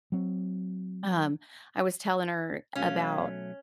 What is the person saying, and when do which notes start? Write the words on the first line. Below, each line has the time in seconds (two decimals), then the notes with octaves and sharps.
um, I was telling her about
0.12 F#3 C4
2.75 B1 F#3 A3 C#4 F5